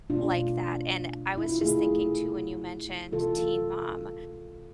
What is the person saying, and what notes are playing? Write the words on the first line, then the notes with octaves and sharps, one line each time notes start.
like that, and I was just thinking too when you mentioned Teen Mom,
B2 A3 D4 F4
E4
F4
C3 F3 A3 E4 G#4
C3 E3 A3 F4 A4